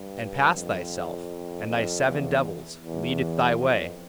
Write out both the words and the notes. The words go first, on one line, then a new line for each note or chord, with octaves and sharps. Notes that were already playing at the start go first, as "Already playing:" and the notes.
And past thyself and thy seven devils leadeth thy way!
Already playing: G2
F2
F2
E2
E2
F2